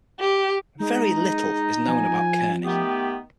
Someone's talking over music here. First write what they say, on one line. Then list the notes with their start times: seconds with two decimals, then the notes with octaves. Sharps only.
Very little is known about Kearney.
0.20 G4
0.80 G#3 D#4
1.88 F3 G#5
2.65 D#3 A3 B3 G4